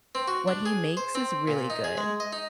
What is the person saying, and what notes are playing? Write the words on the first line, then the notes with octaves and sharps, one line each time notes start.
what he makes is really good.
C4
F#4
D4
G#4
C5
C4
A#2
D#4
G#4
G#3
D#5
D#4